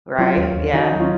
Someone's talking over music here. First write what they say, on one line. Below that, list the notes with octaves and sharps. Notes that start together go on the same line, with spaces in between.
Right, yes.
F#3 C#4 F4
D#2
D#2
D#3 D#4 F#4
F#3
C#4 F4